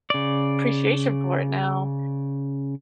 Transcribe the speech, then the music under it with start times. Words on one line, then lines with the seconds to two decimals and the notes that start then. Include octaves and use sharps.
appreciation for it now.
0.10 C#3 D5